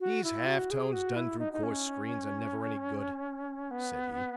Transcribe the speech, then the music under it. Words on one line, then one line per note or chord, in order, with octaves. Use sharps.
"These half-tones done through coarse screens are never any good," said he.
F#4
E4
F#4
G#4
F#4
E4
D#4
D#4
C#4
B3